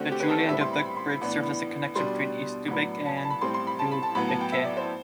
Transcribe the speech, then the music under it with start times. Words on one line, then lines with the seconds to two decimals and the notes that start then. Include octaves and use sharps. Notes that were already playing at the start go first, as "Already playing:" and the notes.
The Julien Dubuque Bridge serves as the connection between East Dubuque and Dubuque.
Already playing: D3 A3 C4 F#4
0.12 G4
0.20 B4
0.30 A4
0.48 A2 G3 C4 E5
0.61 C6
0.73 B5
0.85 B5
0.97 C6
1.10 B5
1.21 A2 E3 B3 D4
1.95 B2 G3 D4 C6
2.68 A2 F#3 B3 D4 B5
3.05 A5
3.17 B5
3.24 A5
3.30 B5
3.41 A2 G3 C4 C6
3.54 C6
3.67 B5
3.79 A5
3.92 B5
4.03 A5
4.15 A2 F#3 B3 B5
4.28 A5
4.40 G5
4.52 E5
4.65 D5
4.77 C5